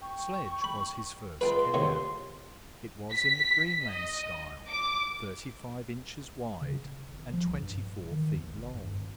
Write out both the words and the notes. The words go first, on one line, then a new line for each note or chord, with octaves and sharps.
The sledge was his first care; it was in the Greenland style, thirty-five inches wide and twenty-four feet long.
G5 C#6
B5
C#2 B4 G5 A5 C6
A2 C3 D#3
B6
D#5
D6
C#3
D1
G#1
F3
C2
G2
D#1
D#3
D#2
G1
G2
G#1